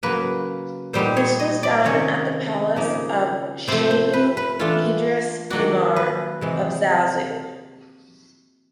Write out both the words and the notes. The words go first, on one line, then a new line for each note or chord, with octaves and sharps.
This was done at the palace of Shehu Idris Emir of Zazzau.
C#3 F#3 A#3 B4
A#2 G3 B3 D#4 C5
C#5
D#5
D5
C3 D#3 G#3 C#4 C#5
C#3 F3 A#3 D#4
C3 F3 A3 C5
C5
B4
B4
E3 A3 D4 F4
D#3 F#3 A#3 D4 F#4
B4
C3 E3 G#3